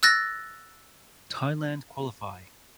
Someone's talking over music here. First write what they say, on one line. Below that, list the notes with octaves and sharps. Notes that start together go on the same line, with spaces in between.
Thailand qualify.
E6 F#6 A6 A#6